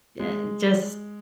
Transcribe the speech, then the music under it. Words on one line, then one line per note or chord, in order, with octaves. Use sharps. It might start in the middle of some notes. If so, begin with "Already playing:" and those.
e eh just
G#3